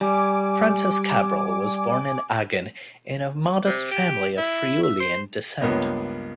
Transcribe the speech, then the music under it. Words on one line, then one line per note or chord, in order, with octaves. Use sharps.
Francis Cabrel was born in Agen into a modest family of Friulian descent.
G3 G#5 D6
C3
G4
E4
E5
C5
C#2 G2 A#3 B3 D#5